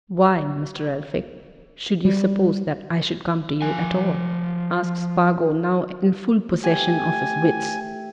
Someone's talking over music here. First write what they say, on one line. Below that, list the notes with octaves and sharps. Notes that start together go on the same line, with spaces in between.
"Why, Mr. Elphick, should you suppose that I should come to you at all?" asked Spargo, now in full possession of his wits.
G3
F3 G#5
A3 G4 G#5